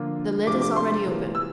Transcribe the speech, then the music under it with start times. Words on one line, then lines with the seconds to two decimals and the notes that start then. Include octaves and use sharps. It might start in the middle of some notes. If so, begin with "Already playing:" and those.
The lid is already open.
Already playing: D3 F3 A#3 F4
0.47 C3 F3 A3 D4 F4 D6
0.62 D6
0.76 C6
1.05 C3 E3 A#3 F4
1.35 E6